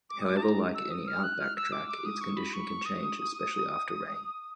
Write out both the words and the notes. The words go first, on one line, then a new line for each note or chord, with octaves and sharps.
However like any outback track, its condition can change, especially after rain.
D6
D#6
D6
A5
A#5
E6
D#6
F6
F#6
F6
E6
D6
D6
D#6
C#6
B5
C#6
D#6